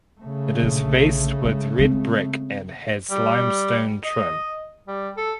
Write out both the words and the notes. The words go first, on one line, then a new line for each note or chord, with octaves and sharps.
It is faced with red brick and has limestone trim.
C#3 A3
A#1 D3
G#3
G#3 C4
G3
D#5
G3
A4